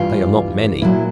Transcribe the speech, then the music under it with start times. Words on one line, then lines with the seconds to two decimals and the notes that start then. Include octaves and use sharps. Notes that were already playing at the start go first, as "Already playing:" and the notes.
They are not many.
Already playing: G2 E3 G3 F4
0.82 A#2 F#3 E4